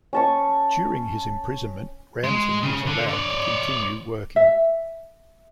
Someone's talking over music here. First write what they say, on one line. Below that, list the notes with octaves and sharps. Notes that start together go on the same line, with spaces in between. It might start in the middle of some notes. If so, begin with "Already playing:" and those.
During his imprisonment, Ramzin was allowed to continue working.
C#4 A5 C#6
G#3
C#3
D3
C#5 D5
E5